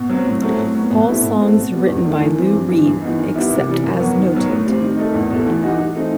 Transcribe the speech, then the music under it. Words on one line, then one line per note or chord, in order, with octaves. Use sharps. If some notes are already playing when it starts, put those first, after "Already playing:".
All songs written by Lou Reed except as noted.
Already playing: B2
F#3 C4
A2
F#3 A3 C4
A2
F#3 B3
B2
A3 C4 E4
B2
A3 C4
B2
G3 B3
E2
D#3 A3
E3
G3 C4
G2
E3 G3
G2
E3 B3 D#4
D#3
G3 B3 E4
C3
E3 G3
F#2
F#3 B3
D#3
F#3 B3
A2
G3 C4
D#3
A3 D#4
E2
B2 A3
E3
G3 D#4 F#4
E3
A3 C4 D#4